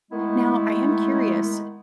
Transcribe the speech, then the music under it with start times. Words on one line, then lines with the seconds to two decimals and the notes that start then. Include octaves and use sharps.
Now, I am curious.
0.11 D#3 G#3 A3 B3 E4